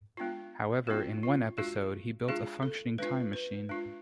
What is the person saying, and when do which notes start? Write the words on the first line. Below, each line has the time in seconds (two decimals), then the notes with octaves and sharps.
However, in one episode, he built a functioning time machine.
0.17 G#3 B3 D4 F4
0.87 G#3 B3 D4 F4 F#4
1.23 F4
1.58 G#3 D4 F4 F#4
2.28 G#3 D4 F4 G#4
2.63 A4
2.98 G#3 D4 F4 B4
3.33 B4
3.69 G#3 D4 F4